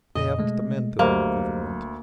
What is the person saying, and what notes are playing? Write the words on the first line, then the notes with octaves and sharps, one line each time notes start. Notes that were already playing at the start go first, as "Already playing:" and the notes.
They haven't the men to run a government.
F2 A#2 D#5
B2 G#3 A3
D2 F#3 A#3 G4 C5 D#5